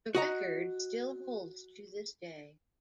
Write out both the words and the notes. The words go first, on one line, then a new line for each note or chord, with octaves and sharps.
The record still holds to this day.
F#4 D#5 A#5